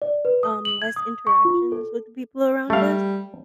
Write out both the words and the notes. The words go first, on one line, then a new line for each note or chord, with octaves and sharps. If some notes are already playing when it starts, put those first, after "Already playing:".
um, less interactions with the people around us.
D5
B4
D#6
F#7
G#6
D#6
C#6
F4
A4
G3 A3 F5